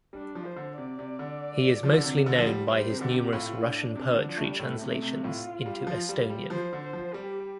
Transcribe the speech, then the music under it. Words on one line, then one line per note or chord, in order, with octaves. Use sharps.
He is mostly known by his numerous Russian poetry translations into Estonian.
G3 D4
F3
C5
D3
C3 D5
C3
D3
F3
D3
C3
D3
F3
G3
G3 C5
C3
D3 G4
C3
A2 F4
D4
C3
D3
F3
A3
G3
A2 A3
C3
A3
C3
C3
A2 F4
G3
F3
G3
G3
F3 C5
D3
C5
F3
G3 G4